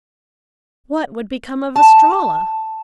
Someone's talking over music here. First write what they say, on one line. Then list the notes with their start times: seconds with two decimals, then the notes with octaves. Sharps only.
What would become of Estralla?
1.76 A5